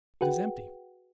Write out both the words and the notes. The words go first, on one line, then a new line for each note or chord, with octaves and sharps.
It is empty.
F#4 G#4 B4 F#5 G5